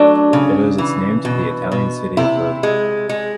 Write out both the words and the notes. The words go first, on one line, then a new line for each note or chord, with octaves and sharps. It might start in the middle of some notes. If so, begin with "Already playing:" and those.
It owes its name to the Italian city of Lodi.
Already playing: F#3 A3 D4
C#3
E3
B2
B2
C3 E4
G#3
G#3